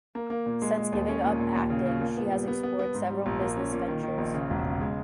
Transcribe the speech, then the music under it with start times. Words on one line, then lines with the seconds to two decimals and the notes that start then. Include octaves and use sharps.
Since giving up acting she has explored several business ventures.
0.15 A#3
0.30 A#3
0.46 A#2
0.62 G#3
0.78 G#3
0.92 D#2
1.08 C#4
1.24 A#2
1.39 A#2
1.55 D#2
1.70 C#3
1.86 C#3
2.01 A#2
2.17 B3
2.32 G3
2.48 B3
2.63 B3
2.79 B3
2.94 G#2
3.10 G3
3.26 A#1
3.41 A#3
3.57 C#4
3.72 A#2
3.88 D#3
4.03 D#3
4.18 A#1
4.34 C#3
4.50 E1
4.65 C#3
4.80 G#3